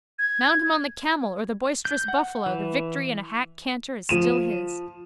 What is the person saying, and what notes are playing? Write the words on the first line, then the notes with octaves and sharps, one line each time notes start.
Mount him on the camel or the boisterous buffalo the victory in a hack canter is still his.
G#6
G6
F#5
E3
F3 D#7 E7